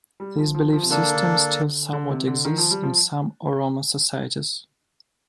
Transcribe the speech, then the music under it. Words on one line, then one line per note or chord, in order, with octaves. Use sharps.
This belief system still somewhat exists in some Oromo societies.
G3
F3
F3
F3
C3
D3 A#3 D4 A4
D3
D3
C3
D3
D#3
F3
G3
F3